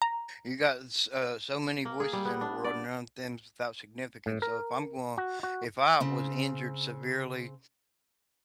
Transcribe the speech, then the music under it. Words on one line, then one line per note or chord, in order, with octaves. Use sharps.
You got s uh, so many voices in the world around and none of them's without significance, so, if I'm going if I was injured severely
A#5
A#3
G#4
G3
B3
D4
D5
A2
A#4
F#4
F#4
C#3 C4